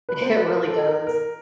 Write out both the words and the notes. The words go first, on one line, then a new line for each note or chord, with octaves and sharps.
It really does.
B4
C5
B4
A#4
A4
A#4
A#4